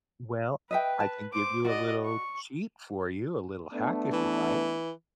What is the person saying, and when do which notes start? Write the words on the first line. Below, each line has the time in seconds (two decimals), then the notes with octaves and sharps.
Well, I can give you a little cheat for you, a little hack if you'd like.
0.71 B4 D#5 E5 G5
1.00 A5
1.33 C5 D6
1.65 F#4 D5 D#5
2.05 C#6
3.73 A3 B3 D4
4.13 E3